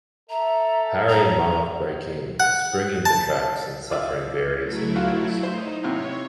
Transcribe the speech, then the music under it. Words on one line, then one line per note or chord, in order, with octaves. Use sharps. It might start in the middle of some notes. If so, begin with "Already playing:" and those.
Harry and Marv break in, springing the traps and suffering various injuries.
A4 E5 A#5
A#5
F#5
A5
F4 D5 E5
F#3 A3 E4
F4 F#4
D#4 C5 C6
E2 C3 C#5